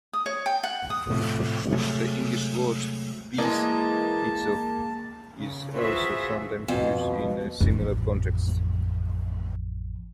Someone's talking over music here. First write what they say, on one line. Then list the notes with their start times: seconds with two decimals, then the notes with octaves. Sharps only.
The English word "piece" itself is also sometimes used in a similar context.
0.13 D#6
0.26 C#5
0.46 G5
0.63 F#5
0.90 D#6
1.11 A2 C3 F3
1.73 C3 F#3 G#3 A3
3.38 E3 G#3 A#3 D#5 A5
5.38 C#3
5.75 F4 F#4 G#4 B4 C5 E5
6.68 F2 B2
7.61 A1 F2